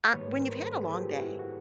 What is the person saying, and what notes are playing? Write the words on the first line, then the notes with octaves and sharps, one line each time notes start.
Ah, when you've had a long day
G#2 D#3 G3 A#3 B4 C#5
A#4 C5
A4 B4
G#4
F4 G4
E4 F#4
F#4